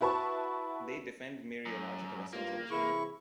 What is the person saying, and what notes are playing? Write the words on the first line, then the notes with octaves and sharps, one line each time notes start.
They defend mereological essentialism.
E4 F#4 B4 A5 C#6
F#2
G2 G3 A#3 F4
C3 E3 E4 G#4 C#6